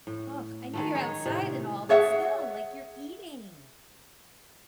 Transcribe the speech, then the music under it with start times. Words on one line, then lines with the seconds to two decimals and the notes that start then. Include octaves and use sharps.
Ugh, I know you're outside and all, but still, like, you're eating.
0.07 A2
0.73 D#3 G#3 A3
0.95 D#4 G#4 C#5
1.26 A2 C3
1.89 G#4 C#5 E5 F#5